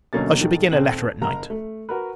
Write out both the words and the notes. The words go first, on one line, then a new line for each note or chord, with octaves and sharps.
I shall begin a letter at night.
D2 B2 F#3 A#3 C#4 A6
D#1 D#3
D#1 C4 F#7
F#1 A#4 A#5
A3
F#4 A#4 B4